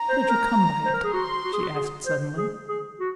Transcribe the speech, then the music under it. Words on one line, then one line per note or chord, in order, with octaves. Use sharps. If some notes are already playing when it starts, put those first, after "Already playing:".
"How did you come by it?" she asked, suddenly.
Already playing: A#5
C5
C5
A#4
C5
A#4
G#4
F#4 C6
F#4
G#4
F#4
G#4
C5
G#4
G#4
F#4